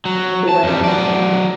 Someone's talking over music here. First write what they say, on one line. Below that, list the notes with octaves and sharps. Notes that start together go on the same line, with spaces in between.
Right, like the wedge, like, yeah, the
F#3
A5
F2 G3
F#3 D5